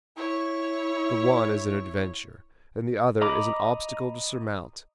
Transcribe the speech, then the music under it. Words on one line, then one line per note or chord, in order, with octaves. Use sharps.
The one is an adventure, and the other is an obstacle to surmount.
E4 C#5
D#5 A#5 B5 D6